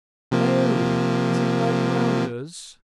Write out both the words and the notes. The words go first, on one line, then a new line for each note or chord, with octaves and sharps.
"Oh, is it like rounders?"
C3 F3 A#3